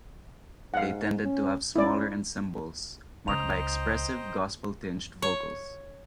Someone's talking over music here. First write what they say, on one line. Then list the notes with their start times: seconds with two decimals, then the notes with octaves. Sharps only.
They tended to have smaller ensembles marked by expressive gospel-tinged vocals.
0.74 G#2 F5 F#5
1.24 C#4
1.76 C#4 E4 D5
3.28 C#2 C#4 C5 D#5 G5 A#5 D#6 F7
5.22 C#5